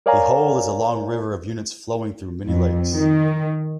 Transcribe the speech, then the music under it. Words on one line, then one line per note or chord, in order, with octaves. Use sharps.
The whole is a long river of units flowing through many lakes.
A#4 C#5 D5 F5 G#5 A#5
F2
D#3